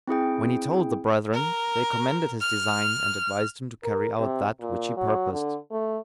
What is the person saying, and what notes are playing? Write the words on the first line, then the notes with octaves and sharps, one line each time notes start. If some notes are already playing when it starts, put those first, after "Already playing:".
When he told the brethren, they commended his design, and advised him to carry out that which he purposed.
C4 E4 G#4 G5
A#4
F6
A#4
C3
A#2
F#3
D3
A3